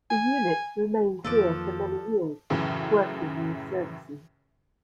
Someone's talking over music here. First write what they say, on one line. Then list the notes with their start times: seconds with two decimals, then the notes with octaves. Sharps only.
The units remained here for many years working these services.
0.11 G#5
1.25 F2 D#3 F3 A#3 A4 B4 D6
2.50 F#2 A2 C#3 E3